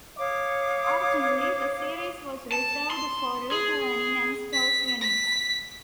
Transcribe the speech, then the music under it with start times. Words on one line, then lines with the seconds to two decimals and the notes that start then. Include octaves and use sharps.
Originally the series was reserved for Route Learning and Stores units.
0.18 C#5 F5 D6 D#6
2.52 A5
2.90 C6
3.52 G#4
4.53 B6
5.01 B6